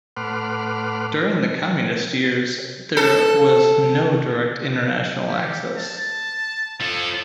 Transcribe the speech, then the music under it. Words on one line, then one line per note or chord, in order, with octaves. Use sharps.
During the Communist years, there was no direct international access.
A2 B4 F#5 C6 D6 F6
A4
G4
A5
F3 A4